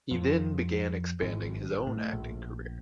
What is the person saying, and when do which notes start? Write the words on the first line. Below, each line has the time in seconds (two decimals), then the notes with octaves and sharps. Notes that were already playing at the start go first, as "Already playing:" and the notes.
He then began expanding his own acting career.
0.11 F2
1.22 G#1
1.87 A2
2.13 A#1